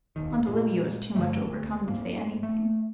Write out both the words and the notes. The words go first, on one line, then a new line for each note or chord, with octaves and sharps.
Aunt Olivia was too much overcome to say anything.
E1 D#2 D#3
A#2 G#3
G2 D3 F#3 A3
D2
G#2 A#3
A3